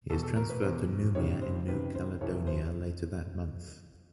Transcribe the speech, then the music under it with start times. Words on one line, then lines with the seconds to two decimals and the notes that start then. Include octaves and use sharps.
He is transferred to Noumea in New Caledonia later that month.
0.10 E2 B2 A4
0.23 A4
0.36 A#4
0.50 B4
0.62 E2 B2 C5
1.15 C#2 C3 D#3 C#5
1.42 C5
1.68 C#2 C3 D#3 B4
1.95 C5
2.21 C2 C3 E3 C#5
2.47 C5